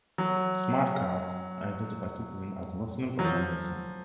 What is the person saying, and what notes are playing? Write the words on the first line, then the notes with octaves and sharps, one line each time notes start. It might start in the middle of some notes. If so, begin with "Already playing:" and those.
Smart Cards identify citizens as Muslims or Non-Muslims.
F#3
F#3
F3